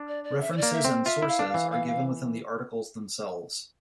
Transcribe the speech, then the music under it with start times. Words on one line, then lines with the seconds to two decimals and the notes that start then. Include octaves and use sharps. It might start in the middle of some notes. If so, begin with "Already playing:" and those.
References and sources are given within the articles themselves.
Already playing: D4
0.08 D5
0.24 D5
0.40 E5
0.52 C5
0.57 D5
0.63 A#3
0.73 E5
0.84 C4
1.05 F4 E5
1.22 E4
1.28 F5
1.39 D4
1.49 F5
1.54 E3
1.71 F5
1.87 F5